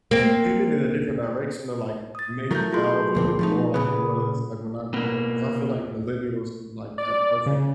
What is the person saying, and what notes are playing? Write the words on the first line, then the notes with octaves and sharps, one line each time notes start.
like, pivot in a different direction to, like, make childhood more like it was, like, when I grew up, 'cause I feel like millennials had, like, that perfect
A#3 C4
D#6 A6
F#3 A3 E4 A#4 G6
F4 G#4 C6
D2 F3 C4
F3 A3 D#4
A#2 C#3 B3 G#4 B5 D#6
B2 A#3
D5
C#3